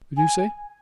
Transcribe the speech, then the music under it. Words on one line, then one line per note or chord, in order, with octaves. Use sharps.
"What did you say?"
G#5